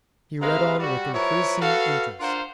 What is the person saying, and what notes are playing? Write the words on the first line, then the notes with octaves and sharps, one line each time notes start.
He read on with increasing interest.
C3 G#3 B4 E5 F5 A#5
G3 F#4
F3 E4 A#4 B4 C#5
F#4 A4 B4 F5
D4 F4 A#4 C5 F5 F#5